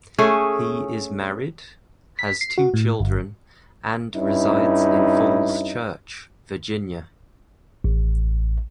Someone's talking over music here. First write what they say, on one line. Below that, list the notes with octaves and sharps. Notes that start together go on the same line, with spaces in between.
He is married, has two children, and resides in Falls Church, Virginia.
A3 C#4 G#4
B6
C7
F#4
A2
G1
G2 C#4 D#4 E4
A1